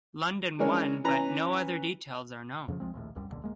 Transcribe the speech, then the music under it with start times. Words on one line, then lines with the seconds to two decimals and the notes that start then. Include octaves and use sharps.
London won but no other details are known.
0.59 E3 G#3 C#4 D4 A#4 C#5
1.04 E3 C#4 B4 A#5
2.68 F2 C#3 E3 F3
2.80 C2 F3 G#3 C4
2.94 A#1 D#2 A2
3.15 D#1 C2 F#2 G3
3.29 E1 C#2 A#2 D3
3.42 D1 G#3 A#3